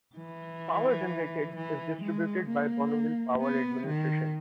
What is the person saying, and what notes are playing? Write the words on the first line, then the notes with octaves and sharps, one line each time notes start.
Power generated is distributed by the Bonneville Power Administration.
E3
E3
G#3
A#3
B3
D#3